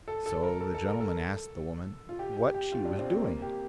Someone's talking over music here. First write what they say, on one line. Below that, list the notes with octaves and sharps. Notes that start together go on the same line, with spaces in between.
So the gentleman asked the woman what she was doing.
A4
A4
A#4
A4
A4
A#4
A4
F4
G4
G4
G4
F4
D4
C4
C4
A#3
G4